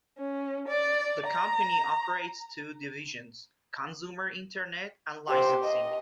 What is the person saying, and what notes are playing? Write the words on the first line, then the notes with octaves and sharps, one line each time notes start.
The company operates two divisions: consumer internet and licensing.
C#4
D5
A#5
G4 C5
D#5